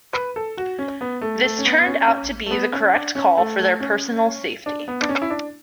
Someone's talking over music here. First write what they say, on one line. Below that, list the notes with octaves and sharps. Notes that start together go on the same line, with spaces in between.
This turned out to be the correct call for their personal safety.
B4
A4
F#4
C#4
B3
A3
A3
C#4
B3
B3
C#4
C#4
A3
B3
C#4
D4
C#4
A3
A3
C#4
D4
B3
D4
C#4
E4
D4